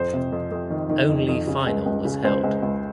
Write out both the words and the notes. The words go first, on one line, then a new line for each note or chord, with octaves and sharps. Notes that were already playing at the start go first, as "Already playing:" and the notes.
Only final was held.
Already playing: F2 C5
C3
F2
F2
D#3
D#3
F2
F2
C#3
C#2
C#2
C#3
C#2 C5
C#2
C#2